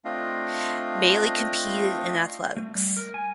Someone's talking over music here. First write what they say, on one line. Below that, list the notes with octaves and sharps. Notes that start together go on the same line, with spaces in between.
Mali competed in athletics.
A3 C4 D4 F4 D#5 F5
A3
G3
A#4
G#5